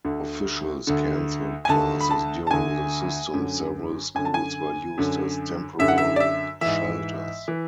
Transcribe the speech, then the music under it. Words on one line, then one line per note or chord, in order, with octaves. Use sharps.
Officials canceled classes during the system; several schools were used as temporary shelters.
D2 D3
D2 D3
G#5
D2 D3 A5
B5
A5
A5
D2 D3 G#5
F#2 D3
F#2 D3 G#5
A5
G#5
F#2 D3
F#2 D3 E5
F#5
E5
D5
E5
G#2 E3 E5
E3